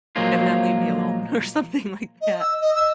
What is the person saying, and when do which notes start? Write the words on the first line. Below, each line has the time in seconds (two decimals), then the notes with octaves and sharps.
and then leave me alone or something like that.
0.16 A#2 F3 F#3 G#3 A#3 F4
2.21 D#5
2.40 E6
2.61 D#5
2.75 E6